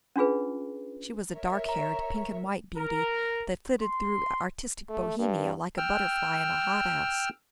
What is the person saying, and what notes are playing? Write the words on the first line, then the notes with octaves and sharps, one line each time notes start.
She was a dark-haired, pink-and-white beauty that flitted through artistic Bohemia like a butterfly in a hothouse.
C#4 D4 F4 G#4 B4
A#4 C#5 E5
A#5
A#4
C6
A3
G2
G5 E6 F6